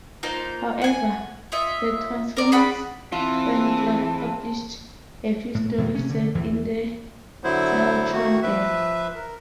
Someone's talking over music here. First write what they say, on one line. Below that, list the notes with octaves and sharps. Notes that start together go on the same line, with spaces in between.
However, the Transformers Fan Club published a few stories set in the "Cybertron" era.
A#3 D#4 F4 C5
F#5 G#5
F4 C#5 D#5 E5
A#4 D5
G#4 D5 F#5 B5
E3 C4 F4 G#4 A5
A2
E2 B2 D#3 E3
C3 C#4
D3
E2 E3
D3 F#3 B3 E4 C5
D#3 A3 A#3 F#4
F3 B4 E5
A#4